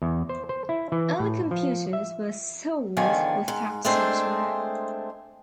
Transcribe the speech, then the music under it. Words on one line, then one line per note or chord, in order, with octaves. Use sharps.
Early computers were sold without software.
E2
C5
C5
E4
E3
A2
F3
E5
E2 D3 D#3 F3 D5 G#5
G#2
G#3 A3 C4 D4 G#4 C5